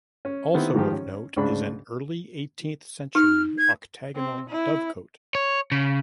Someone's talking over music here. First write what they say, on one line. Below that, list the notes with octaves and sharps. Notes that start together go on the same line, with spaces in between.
Also of note is an early eighteenth century octagonal dovecote.
C#4
D#3 B3 C4 E4 G4
G#2 D#3 F3 G4
C#4
D2 G#2 C#3 D4 B5
D#4 F6
G#6
C4
E4
C#5
C#3